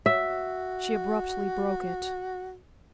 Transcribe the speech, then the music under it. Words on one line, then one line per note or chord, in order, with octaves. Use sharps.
She abruptly broke it.
F#4 E5